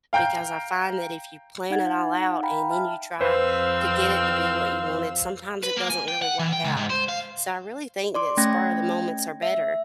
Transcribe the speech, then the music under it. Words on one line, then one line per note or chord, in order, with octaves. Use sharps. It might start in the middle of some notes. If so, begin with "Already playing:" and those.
because I find that if you plan it all out and then you try to get it to be what you wanted, sometimes it doesn't really work out, so I really think that spur of the moments are better.
F5 G5 A#5 G6
D#4 F#5 G#6 A6
F5 G5 A#5 B5
E5 A5 F6
F2 C4 B4 C5 F5 E6
B4
A#3
G#5
G5
F#5
E3
G5
C#2
G#2
C5
F5
D5 C6 D6
A3 C#4 G5 G#6 A#6
E5